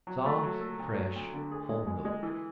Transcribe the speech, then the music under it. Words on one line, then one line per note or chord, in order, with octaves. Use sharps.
Soft, fresh, whole milk.
F#3
A3
F#3
A3
D2
F#3
D2
D3
G#4
G#3
G#3
G#3
E3